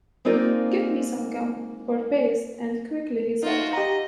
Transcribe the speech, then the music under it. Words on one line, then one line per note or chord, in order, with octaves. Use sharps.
"Get me some gum or paste, and quickly," he said.
G#3 A#3 C4 D#4 F4 D5
D#4 F4 F#4
G4 D#5 A#5